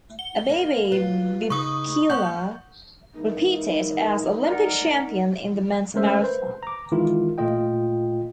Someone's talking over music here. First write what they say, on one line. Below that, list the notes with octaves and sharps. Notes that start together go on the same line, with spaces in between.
Abebe Bikila repeated as Olympic champion in the men's marathon.
F#5 G7
A#3
F4 B4
C#3 D#4 B4 C#6 D#6
A#3 F#5 C#6 G6
E3 G#3 A#3 D#4
A#4 D5 F#5
G#3 A3 C#4 A#4 C5 E5
B4 C5
A#5 D6
D#3 E3 G#3 E4 F4
A#2 A3 F4 D#5 G5